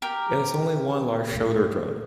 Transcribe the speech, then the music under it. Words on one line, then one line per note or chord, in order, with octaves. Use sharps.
It has only one large shoulder drone.
G4 A#4